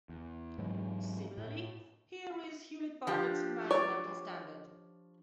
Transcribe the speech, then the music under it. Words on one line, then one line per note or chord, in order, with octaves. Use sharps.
Similarly, here is Hewlett-Packard's environmental standard.
E2
G#2 E3 F#3 G#3
A2
F3 D4 G4
C#5 D5